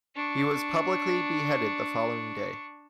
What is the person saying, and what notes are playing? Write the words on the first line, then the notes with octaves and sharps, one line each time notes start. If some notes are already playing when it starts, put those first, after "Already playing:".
He was publicly beheaded the following day.
D4 C#6